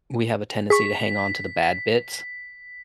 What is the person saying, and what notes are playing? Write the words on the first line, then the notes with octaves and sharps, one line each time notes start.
we have a tendency to hang on to the bad bits.
G#4 C#6 B6